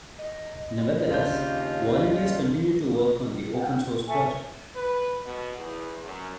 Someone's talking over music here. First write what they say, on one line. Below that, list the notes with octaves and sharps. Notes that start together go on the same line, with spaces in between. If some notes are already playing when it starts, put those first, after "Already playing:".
Nevertheless, volunteers continue to work on the open source project.
D#5
D#2 C#3 D4 F4 G6
A4 E5 G#5 C#6
B4
B2
E2
F#2